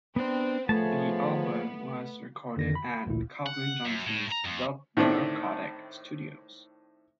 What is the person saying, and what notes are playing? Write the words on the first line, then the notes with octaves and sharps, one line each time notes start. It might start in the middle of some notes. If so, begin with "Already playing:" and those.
The album was recorded at Calvin Johnson's "Dub Narcotic Studios".
B3 C4 D4
F3 A3 B3 G#4 C#5 A5
F2 D3 D#3 A#6
B5
A1 D2 A#2 E4
F#5
F#2
A2
A#5
F2
A2 D#3 A3 C4 D4 E4